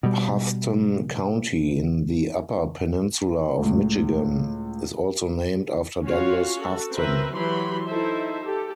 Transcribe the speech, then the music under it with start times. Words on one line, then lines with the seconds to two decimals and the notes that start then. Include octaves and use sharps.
Houghton County, in the Upper Peninsula of Michigan is also named after Douglass Houghton.
0.03 B2 G3
3.58 C#2 A2
6.05 C#4 F4 F#4 C#5 F5
6.56 F#4 A4
6.92 C4 A#4 B4 E5
7.32 E3 F#3 G4 B5 C6
7.88 D#4 E4 A4 C5 E5
8.42 G4 A4